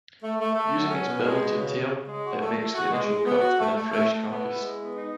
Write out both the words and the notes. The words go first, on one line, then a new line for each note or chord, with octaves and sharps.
Using its bill to tear, it makes the initial cut in a fresh carcass.
A3
A3
A3
F#3
C#4
B2
G#3
B2
C#3
C#3
C#3
G#3
F#4
A3
A3
F#4
G#3
G#3
B3
F#4
A3
A3
A3
A3
B3
E4
G#3
B3
D#4